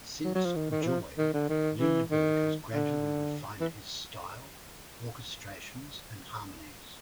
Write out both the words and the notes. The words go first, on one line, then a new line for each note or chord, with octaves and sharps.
Since "Joy", Lindberg has gradually refined his style, orchestrations and harmonies.
F#3
F#3
F3
D#3
D#3
E3
F3
D#3
D3
D#3
E3
D#3
D3
E3